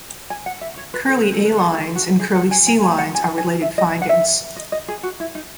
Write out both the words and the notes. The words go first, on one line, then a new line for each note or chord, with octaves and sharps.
Kerley A lines and Kerley C lines are related findings.
G#5
F#5
E5
C#5
B4
A4
B4
A4
B4
A4
E4
F#4
G#4
F#5
G#5
G#5
G#5
F#5
G#5
G#5
E5
D#5
F#5
E5
D#5
D#5
G#4
F#4
E4
D#4